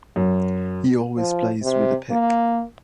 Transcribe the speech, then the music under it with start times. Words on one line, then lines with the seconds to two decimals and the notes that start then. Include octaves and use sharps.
He always plays with a pick.
0.16 F#2
1.17 F3
1.63 C3
2.11 A#3